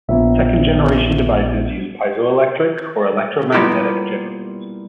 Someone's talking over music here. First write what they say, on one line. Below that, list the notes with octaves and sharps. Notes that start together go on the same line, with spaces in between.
Second generation devices used piezoelectric or electromagnetic generators.
A#1 B3 F4 E5
G3 A#3 B3 E4 F4 G4